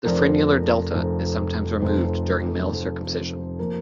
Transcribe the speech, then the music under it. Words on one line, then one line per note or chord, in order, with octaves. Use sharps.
The frenular delta is sometimes removed during male circumcision.
F1 F2 F3 A#4 D5
F1 F2 F3
F1 F2 F3 C4 C5
F1 F2 F3 C4
F3 A#3 A#4